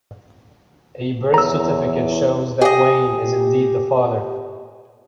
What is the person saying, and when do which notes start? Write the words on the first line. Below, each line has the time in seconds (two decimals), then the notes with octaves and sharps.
A birth certificate shows that Wayne is indeed the father.
1.34 E2 E4 B4 C#5 A#5 E6
2.62 G4 G#4 D#5